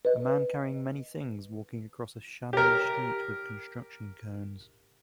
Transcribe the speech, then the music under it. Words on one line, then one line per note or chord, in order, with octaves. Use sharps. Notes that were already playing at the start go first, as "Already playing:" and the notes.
A man carrying many things walking across a shadowy street with construction cones.
B4 D#5
G4 A#4